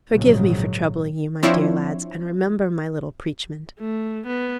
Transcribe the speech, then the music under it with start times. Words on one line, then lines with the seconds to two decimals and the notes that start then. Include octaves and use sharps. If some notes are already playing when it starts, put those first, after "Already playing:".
Forgive me for troubling you, my dear lads, and remember my little preachment.
0.10 A#1 G#2 C#3 F#3
1.43 F3 C4 D4 E4 C5 C#5
3.79 A3
4.26 B3